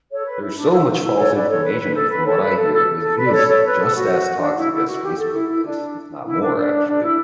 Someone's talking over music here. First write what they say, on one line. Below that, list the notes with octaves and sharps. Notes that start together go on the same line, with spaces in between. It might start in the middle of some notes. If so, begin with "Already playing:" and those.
there's so much false information, and from what I hear, it it is just as toxic as Facebook is, if not more, actually.
A4 C#5
B4
E4
D4
E4
F#4
E4
A4 C#5
B4 D5
A4 C#5
B4
B4
A4
B4
A4 C#5
B4
A4
A4
A4
B4
D5
A4 C#5
A4 C#5
B4
A4
F#4
D4
E4
E4
F#4
G4
A4
E4
E4
D4
E4
D4
D4
D4
E4